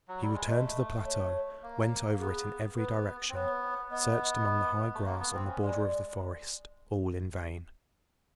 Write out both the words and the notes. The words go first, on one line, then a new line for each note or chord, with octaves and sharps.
He returned to the plateau, went over it in every direction, searched among the high grass on the border of the forest, all in vain.
F#3
G3
G#3
A3 D#5
C#5
A#3
A#3
B3 G#4
B3 B4
C4
B3 C#5
B3 D#5
A3
A#3
B3
C4
C#4
G#3 D5